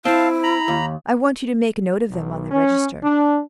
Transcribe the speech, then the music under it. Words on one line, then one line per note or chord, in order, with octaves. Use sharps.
I want you to make a note of them on the register.
C4 E4 F5 A5
A#5 B5
D#2
B1
C#4
D4